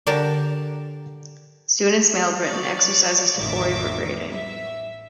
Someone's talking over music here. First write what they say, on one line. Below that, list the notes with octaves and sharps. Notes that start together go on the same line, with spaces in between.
Students mailed written exercises to Cory for grading.
D3 D4 G4 A#4 A5
C#5 D5
A1 F2 D#3 E5 D6
E5